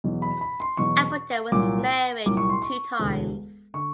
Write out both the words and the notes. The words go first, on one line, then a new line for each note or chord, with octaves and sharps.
Appleton was married two times.
E2 B2 F#3
B5
B5
C6
E2 B2 F#3 C#6
C2 A#2 F#3 D6
C2 A#2 F#3 D6
C#6
C6
C#6
E1 D2 D3
D3 C#6